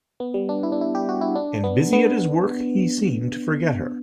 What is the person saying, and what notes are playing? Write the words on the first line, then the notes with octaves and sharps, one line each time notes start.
And busy at his work he seemed to forget her.
B3
G3
D4
E4
D4
E4
G4
F#4
E4
D4
B3
B3